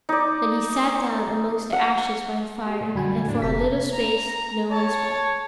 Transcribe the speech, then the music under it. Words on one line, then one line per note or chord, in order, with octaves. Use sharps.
Then he sat down amongst the ashes by the fire, and for a little space no one spoke.
D#4 D5
F#5
G4 G#4
A#2 A3
F#2 D3 G3 F#4 G#5 B5 G#6
E2 A2 D4
F1 C3 A#4 A5 B6
A#5
C#5 A5